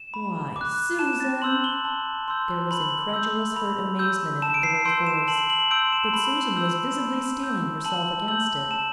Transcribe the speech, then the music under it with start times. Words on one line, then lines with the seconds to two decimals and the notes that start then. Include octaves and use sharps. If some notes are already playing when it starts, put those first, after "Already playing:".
"Why, SUSAN!" There was incredulous, hurt amazement in the boy's voice; but Susan was visibly steeling herself against it.
Already playing: E7
0.14 B5
0.56 D6 F#6
0.99 A5 E7
1.20 A6
1.42 C6 E6 G6 F#7
1.64 G7
1.85 A5
2.28 C6 E6 G6
2.71 B5 F#7
3.13 E6 G6
3.57 B5
3.99 E6 G6
4.42 A5 E7
4.54 D7
4.63 C7
4.85 C6 E6 G6 D7
5.07 E7
5.28 A5 F#7
5.50 F#7
5.71 C6 E6 G6 D7
5.93 E7
6.14 B5 F#7
6.56 E6 G6
7.00 B5
7.43 E6 G6
7.85 A5 F#7
8.28 E6 G6 F#7
8.71 A5 E7